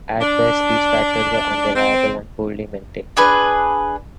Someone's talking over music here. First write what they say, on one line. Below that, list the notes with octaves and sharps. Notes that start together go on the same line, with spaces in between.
At best these tractors were unreliable and were poorly maintained.
D4
C4
D4 G#4 B4